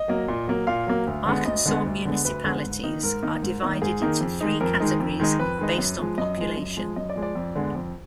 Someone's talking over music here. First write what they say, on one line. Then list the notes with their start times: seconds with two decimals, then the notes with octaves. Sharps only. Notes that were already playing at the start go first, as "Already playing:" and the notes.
Arkansas municipalities are divided into three categories based on population.
Already playing: D#5
0.08 F#3 A#3
0.28 A#2
0.48 F#3 A#3
0.67 A#2 F5
0.87 F#3 A#3
1.07 D2
1.26 D3 G#3 B3
1.45 D2 D#5
1.66 D3 G#3 B3
1.86 D2
2.05 D3 G#3 B3
2.25 D2 B4
2.44 D3 G#3 B3
2.64 G#2
2.83 D#3 A#3 D#4
3.03 G#2 A#4
3.23 D#3 A#3 D#4
3.42 G#2
3.62 D#3 A#3 D#4
3.82 G#2 G#4
4.02 D#3 A#3 D#4
4.21 F2
4.41 D#3 G#3 D#4
4.60 F2 A#4
4.80 D#3 G#3 D#4
5.00 F2
5.20 D#3 G#3 D#4
5.39 F2 B4
5.58 D#3 G#3 D#4
5.78 F#2
5.98 F3 G#3
6.18 F#2 D#5
6.37 F3 G#3
6.57 F#2
6.77 F3 G#3
6.96 F#2 D#5
7.09 D5
7.16 F3 G#3
7.23 D5
7.35 F2
7.55 D3 G#3 B3
7.75 F2